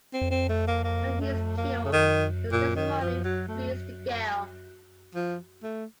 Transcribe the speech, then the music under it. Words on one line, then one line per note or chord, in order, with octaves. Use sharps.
When he is cured, his testimony frees the girl.
C4
C4
A3
A#3
A#3
A3
A#3
C#3
D#3
A#2
D#3
F3
F#3
A3
F3
A3